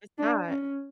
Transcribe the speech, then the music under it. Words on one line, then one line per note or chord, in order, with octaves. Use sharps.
it's not.
D4
C#4